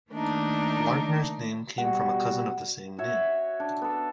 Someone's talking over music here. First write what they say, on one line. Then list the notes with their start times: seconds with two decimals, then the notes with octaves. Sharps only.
Lardner's name came from a cousin of the same name.
0.11 D#3 A3 A#3 D4 D#4
1.78 B2 G3 F#4 F#5
2.98 F#4 C#5 E5
3.60 D4
3.82 B3 A4